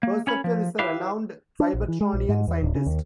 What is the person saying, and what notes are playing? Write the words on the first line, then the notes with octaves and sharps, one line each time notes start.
Perceptor is a renowned Cybertronian scientist.
A#3
C#4 C#5 B5
F3
E4 G4 B4 E5 F5
D4
A#1
E3
G#3
A#1
G#2
E2
D1
C#3
D#2